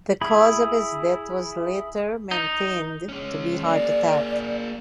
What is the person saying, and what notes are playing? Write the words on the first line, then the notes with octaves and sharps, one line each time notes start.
The cause of his death was later maintained to be heart attack.
E4 G#4 B5
D#4
G#3 C#4
A#3 G#4 D5